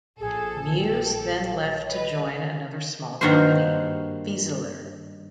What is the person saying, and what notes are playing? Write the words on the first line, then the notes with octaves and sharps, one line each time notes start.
Mewes then left to join another small company, Fieseler.
A#1 G#4 A4
G5
C#5
B4 D#5
G2 D#3 A#3 F#4 C5